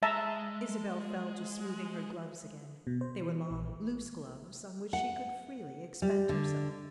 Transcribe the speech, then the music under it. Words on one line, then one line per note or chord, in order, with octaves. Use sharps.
Isabel fell to smoothing her gloves again; they were long, loose gloves on which she could freely expend herself.
G#3 E5 A5 A#5
B2
C5
E3
A#1
F#5
G3
D3